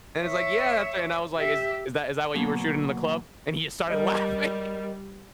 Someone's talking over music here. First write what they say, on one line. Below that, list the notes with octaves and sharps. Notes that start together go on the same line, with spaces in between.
And he's like, "Yeah," after and I was like, "Is is that is that what you were shooting in the club?" And he just started laughing.
C#5 E5
G4 E5
B2 D3 F#3 A#3 B3
G3 A#4 D#5